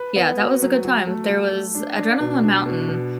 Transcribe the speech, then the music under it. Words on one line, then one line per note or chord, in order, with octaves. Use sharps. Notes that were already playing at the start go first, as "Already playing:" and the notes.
Yeah, that was a good time. There was Adrenaline Mountain,
Already playing: B4
B3
F#4
F#3
F#3
A3
F#3
A3
D4
D4
B2
D4
B2
B2